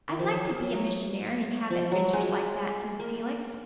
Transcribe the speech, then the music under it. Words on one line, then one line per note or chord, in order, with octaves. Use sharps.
"I'd like to be a missionary and have adventures like that," said Felix.
D#3
F3
F#3
G#3
A#3
F#3
F#3
F3
F#3
G#3
A#3